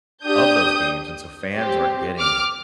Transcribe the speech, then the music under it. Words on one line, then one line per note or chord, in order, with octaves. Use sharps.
of those games, and so fans aren't getting
D4 G4 D#6 G6
C4 G4
D6 F6